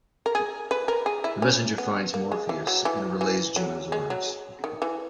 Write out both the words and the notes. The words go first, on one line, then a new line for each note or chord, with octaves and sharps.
The messenger finds Morpheus and relays Juno's orders.
A#4
G#4
B4
A#4
G#4
E4
C#4
B3
A#3
G#3
E3
F#3
E3
E3
F#3
G#3
F#3
D#3
E3